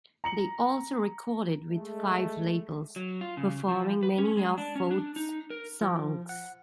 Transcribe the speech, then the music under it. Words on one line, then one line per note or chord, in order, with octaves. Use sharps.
They also recorded with five labels, performing many of Fouts' songs.
A#5 C#7 F#7
G#3 A3
F#3
F4
C#3
F3
B4
C#4
G#3
D4
C#4
D4
D#4
A#4
F3
F#5